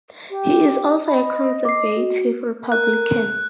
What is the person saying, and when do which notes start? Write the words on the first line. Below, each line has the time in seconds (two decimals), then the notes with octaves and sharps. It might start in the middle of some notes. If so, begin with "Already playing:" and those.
He is also a conservative Republican.
0.30 G4
1.07 D#5 B5
1.65 D6 C7
1.96 F#4
2.72 A#4 F#6